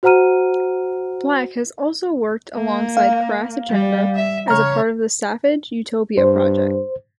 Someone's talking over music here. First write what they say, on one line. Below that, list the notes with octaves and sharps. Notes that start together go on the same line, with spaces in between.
Black has also worked alongside Crass Agenda as part of the "Savage Utopia" project.
F#4 C5 F#5 A#5 F6 D#7
A#3
F5
G3
E5
C#3 C#5 A#5 F6
G2 C5